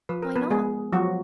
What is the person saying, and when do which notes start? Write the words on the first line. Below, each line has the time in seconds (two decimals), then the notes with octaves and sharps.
"Why not?"
0.09 F3 B4
0.22 A#4
0.36 B3 B4
0.50 G#3 B3 G#4
0.93 F3 F#3 F#4